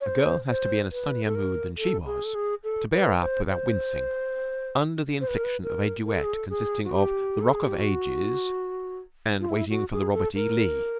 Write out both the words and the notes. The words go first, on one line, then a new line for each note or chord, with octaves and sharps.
A girl has to be in a sunnier mood than she was to bear up without wincing under the infliction of a duet consisting of the Rock of Ages and Waiting for the Robert E. Lee.
C#5
C5
C5
B4
A4
A#4
A4
G#4
A4
G#4
A4
B4
C5
C5
C5
B4
A#4
B4
A#4
A#4
A4
G#4
A4
G#4
F#4
G4
A4
G#4
G4
F#4
F4
E4
F#4
G#4
A4
A#4